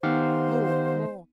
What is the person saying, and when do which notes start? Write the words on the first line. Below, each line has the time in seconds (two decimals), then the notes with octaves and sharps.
More! more!
0.03 D#3 B3 D#4 G4 C5 F5 F#5